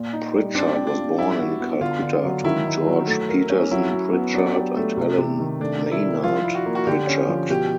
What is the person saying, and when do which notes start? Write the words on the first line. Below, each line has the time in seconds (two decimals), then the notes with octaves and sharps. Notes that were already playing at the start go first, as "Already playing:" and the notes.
Pritchard was born in Calcutta to George Petersen Pritchard and Helen Maynard Pritchard.
Already playing: A#2
0.13 D#4
0.34 G3
0.55 C4 D4
0.76 C4
0.87 D4
0.98 F4
1.18 G3 E4
1.39 F#4
1.60 B3
1.81 D3 F4
2.02 D3
2.24 F#3
2.44 D#3 E4
2.66 D#4
2.87 F#3
3.07 A3
3.29 A#4
3.50 C#4
3.71 F#3 E4
3.91 F#4
4.13 B3
4.34 F#3 D4
4.56 G4
4.76 A3
4.97 C3
5.18 C3
5.39 D#3
5.60 A3 D4
5.82 A#4
5.92 E4
6.02 D4
6.23 F3 F4
6.45 E4
6.55 F#4
6.66 A#3
6.75 F#4
6.87 D3 G4
7.07 C#4
7.29 F3
7.50 B2 G4